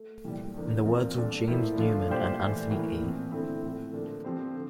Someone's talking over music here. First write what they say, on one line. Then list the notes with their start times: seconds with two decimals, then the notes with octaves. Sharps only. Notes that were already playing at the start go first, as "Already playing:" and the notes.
In the words of James Newman and Anthony A.
Already playing: A3
0.24 C2 A#2 G3
0.54 E2 D3 F3 A#3 D4
0.85 F3 C4 F4 A#4 D5
1.16 A#2 G3 A#3 D4 A4
1.47 A2 F3 A#3 E4
1.77 D3 F3 A3 D4 F4
2.09 A#2 G3 D4 G4 C5
2.40 A2 E3 A3
2.70 A2 E3 A#3
3.01 A#2 F3 C4
3.32 D3 A3 C4 E4
3.62 A2 F3 A3 C4
3.93 D3 F3 A#3 D4 A4
4.24 F3 C4 G4 C5
4.55 D3